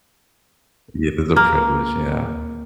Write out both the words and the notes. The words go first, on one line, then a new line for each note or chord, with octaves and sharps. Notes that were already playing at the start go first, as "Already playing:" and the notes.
It is a privilege, yeah.
A#3